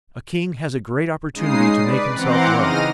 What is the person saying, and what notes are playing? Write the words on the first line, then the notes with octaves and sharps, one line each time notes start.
A king has a great opportunity to make himself loved.
C#3 G#3 D#4 D#6 C7
B4 D5
E3 C4 F#5 A#5 C6 D6
C#3 D#4 F6 A#6 D#7